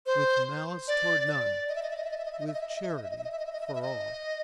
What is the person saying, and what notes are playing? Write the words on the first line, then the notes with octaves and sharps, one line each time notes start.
"With malice toward none; with charity for all."
C5
D5
D5
D#5
E5
D#5
E5
D#5
E5
D#5
E5
D#5
E5
D#5
E5
D#5
E5
D#5
E5
D#5
E5
D#5
E5
D#5
E5
D#5
E5
D#5
E5
D#5
E5
D#5
E5
D#5